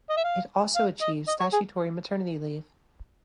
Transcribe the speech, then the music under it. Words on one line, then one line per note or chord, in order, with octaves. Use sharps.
It also achieved statutory maternity leave.
D#5
E5
F5
F5
D#5
D#5
C#5
G#4